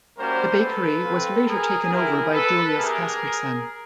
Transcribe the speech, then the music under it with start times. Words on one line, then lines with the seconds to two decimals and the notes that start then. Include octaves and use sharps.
The bakery was later taken over by Julius Caspersen.
0.17 G3 A#3 C#4 F#4 A#4 C5
0.60 A4 B4
1.03 C4 F4
1.47 G#4 A#4
1.90 B3 E4 G4 G#4 A#4
2.33 A4 B4
2.76 A3 D4 G4 G#4 A#4